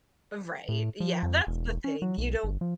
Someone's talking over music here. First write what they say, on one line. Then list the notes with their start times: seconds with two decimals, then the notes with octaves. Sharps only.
Right, yeah, that's the thing, you don't
0.69 A2
1.00 F3
1.23 F2
1.47 E1
1.84 C#4
2.02 F#3
2.18 B1
2.44 G1
2.61 F3